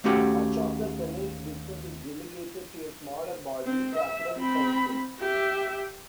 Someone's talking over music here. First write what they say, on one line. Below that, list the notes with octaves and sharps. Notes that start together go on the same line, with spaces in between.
Much of the Senate's business is delegated to a smaller body, the Academic Council.
D#2 A3 C#4 F#4 G4 F#5
C4
E5
C4 B5
G4 E5